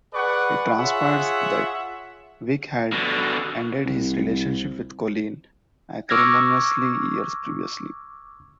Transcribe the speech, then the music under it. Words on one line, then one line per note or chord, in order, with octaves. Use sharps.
It transpires that Vic had ended his relationship with Colleen acrimoniously years previously.
G#4 B4 D5 F#5 C#6
F4 G#4 C#5 E5 F#5
B2 D3
C2
C#6 D6 E6 F6 G#6 A#6